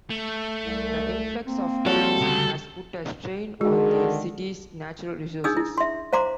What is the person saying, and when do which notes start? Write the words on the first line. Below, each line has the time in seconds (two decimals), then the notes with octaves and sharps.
The influx of tourists has put a strain on the city's natural resources.
0.10 A3
0.63 C2
1.46 A#3 C4
1.86 F3 G3 F#4 A4 C#5
2.21 D2 C#3
3.61 D3 D#3 G#3 F#4 G#4
5.44 D4 D#4 G#4 D#6 E6
5.57 D#4 E4
5.78 E5 C6
6.13 C5 F5 A#5 C6 D6